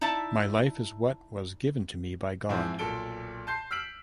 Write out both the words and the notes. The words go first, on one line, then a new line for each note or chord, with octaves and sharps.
My life is what was given to me by God.
D#4 E4 D5 E5 A5
G#2 F3 C4 E4
B1 A#2 A4 D7 G7
A5 C6 G6 C7
E6 F6 B6 D7 F#7